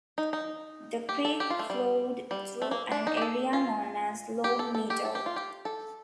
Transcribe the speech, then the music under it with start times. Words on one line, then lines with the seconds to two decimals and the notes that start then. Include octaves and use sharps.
The creek flowed through an area known as Long Meadow.
0.18 D#4
0.33 D#4
1.09 G4
1.25 A4
1.40 G4
1.50 F4
1.59 A3
1.70 G3
2.31 G3
2.62 A3
2.71 A#3
2.92 D4
3.07 D#4
3.17 G4
3.22 A4
3.53 F4
4.44 G4
4.59 A4
4.75 A4
4.90 G4
5.05 A4
5.15 G4
5.26 F4
5.36 G4
5.65 A4